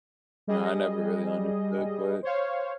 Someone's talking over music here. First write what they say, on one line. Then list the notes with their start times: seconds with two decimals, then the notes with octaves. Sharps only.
You know, I never really understood, but
0.47 G3 G#4 D#5
2.23 C5 C#5 F5